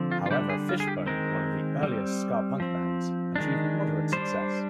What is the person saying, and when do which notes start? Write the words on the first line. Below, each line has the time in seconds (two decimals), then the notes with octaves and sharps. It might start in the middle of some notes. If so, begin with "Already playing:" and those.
However, Fishbone, one of the earliest ska punk bands, achieved moderate success.
Already playing: D3 F3 C4
0.11 F4
0.26 F4
0.30 D3 G3 D4 G4
0.50 G#4
0.69 F4
0.80 G#4
0.88 G4
1.06 D#3 G#3 C4 A#4
1.83 G3 C4
2.60 F3 C4
3.36 D#3 G#3 D4
4.12 G3 D4 C5